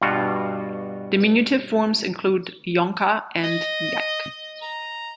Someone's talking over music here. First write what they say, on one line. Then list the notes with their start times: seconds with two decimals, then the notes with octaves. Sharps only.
Diminutive forms include "Ilonka" and "Ilike".
0.02 G2 B2 G3 F4 F#4
3.44 D#5
4.62 A#5